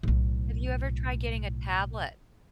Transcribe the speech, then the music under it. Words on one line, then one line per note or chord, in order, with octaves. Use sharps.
Have you ever tried getting a tablet?
B1 A2